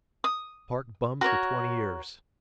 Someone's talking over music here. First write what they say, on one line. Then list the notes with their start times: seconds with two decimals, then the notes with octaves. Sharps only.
Park bum for twenty years.
0.24 D#6
1.21 F#4 A#4 C5 C#5